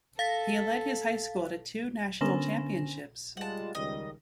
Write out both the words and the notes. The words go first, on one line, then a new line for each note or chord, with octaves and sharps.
He led his high school to two National Championships.
A4 F5 A6 B6
D3 C#4 D4 G#5 A#6 E7
G3 G#3 F4 F#5 A5
C#2 D#3 G3 D#5